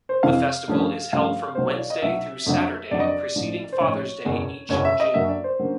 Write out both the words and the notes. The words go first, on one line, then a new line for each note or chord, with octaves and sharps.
The festival is held from Wednesday through Saturday preceding Father's Day each June.
C5
F2 C3 E3 G#3 C4 F5
G2 D3 F3 A3 C#4
G2 D3 F3 A3 C#4 F5
B1 B2 F#3 C5
C#5
D5
D#5
B1 B2 F#3 E5
F2 D3 F#3
F2 D3 F#3 D5
D#5
D5
A1 G#2 F3
C5
A1 G#2 F3 C#5
F#1 E2 B2 G#3
F#1 E2 B2 G#3 C#5
E5
D#5
F#2 D3 F#3 A#3 C#4 E5
D5
C5
D3 F#3 A#3 C#4